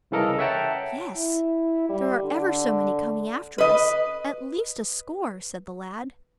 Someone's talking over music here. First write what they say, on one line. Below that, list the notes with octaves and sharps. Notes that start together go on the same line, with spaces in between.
"Yes; there are ever so many coming after us, at least a score," said the lad.
C2 C#3 E3 A4 A#4 D#5
C#5 E5 F#5 G5 A5 A#5
E4
G3
D3
B4 D#5